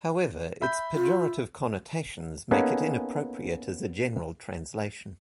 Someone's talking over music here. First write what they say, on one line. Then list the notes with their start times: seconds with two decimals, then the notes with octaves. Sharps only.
However, its pejorative connotations make it inappropriate as a general translation.
0.61 E5 B5 G6
0.95 F4
2.51 A#3 B3 C#4 D#4 G#4 A4